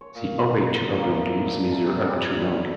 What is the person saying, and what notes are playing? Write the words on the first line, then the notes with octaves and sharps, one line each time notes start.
The ovate to oblong leaves measure up to long.
C#5
A#2
D#4
B2
A#3
E4
D3
A5
G3
G3
B5
A4